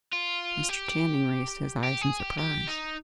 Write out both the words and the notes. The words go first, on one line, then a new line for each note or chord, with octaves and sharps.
Mr. Channing raised his eyes in surprise.
F4
G4
G4
G#4
G4
G4
D#4